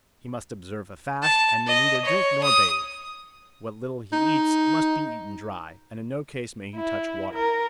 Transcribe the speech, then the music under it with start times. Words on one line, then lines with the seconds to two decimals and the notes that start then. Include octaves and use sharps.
He must observe a fast, and may neither drink nor bathe; what little he eats must be eaten dry, and in no case may he touch water.
1.22 A5
1.67 D#5
2.05 C#5
2.43 D#6
4.13 D#4
6.75 E4
7.33 A#4